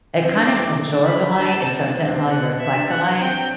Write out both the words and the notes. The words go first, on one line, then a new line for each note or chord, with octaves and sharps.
It kind of absorbed the light, it so it didn't really reflect the light,
C4
D4
E4 D6
D4
B5
D4 A5
C4
D4
D4
C4
D4 F#5
E5
D4
F#5
C4 G5